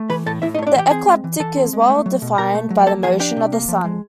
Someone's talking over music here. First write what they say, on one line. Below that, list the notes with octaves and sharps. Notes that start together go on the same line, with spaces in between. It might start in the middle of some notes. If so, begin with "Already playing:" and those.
The ecliptic is well defined by the motion of the Sun.
Already playing: A3
E3 B4 B5
A2 A4 A5
A2 E4 E5
D#4 D#5
A3 C#5
D4 D5
E3 G4 G5
C4 G#4 G#5
G#3
E3
E3 A4 A5
C4
G#3
A3
F#3
B2
B2 A#4 A#5
A3
F#3
A#3 A4 A5
F3 G#4 G#5
D4 G4 G5
C3
A#3
F3
G#3